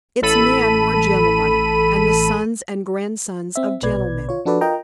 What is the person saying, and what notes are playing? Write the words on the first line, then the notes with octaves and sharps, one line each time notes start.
Its men were gentlemen and the sons and grandsons of gentlemen.
A1 A4 B5 D#7
C4 E5
A#1 B2 B4 D5 G#6
F4 C#5
F3 D4 F#4 A4 B4 D5
F4 A#4 D#5 G5 A#5